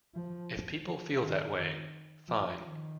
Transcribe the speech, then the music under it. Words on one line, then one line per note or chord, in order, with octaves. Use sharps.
If people feel that way - fine.
F3
F3
D#3
D#3
F3
D#3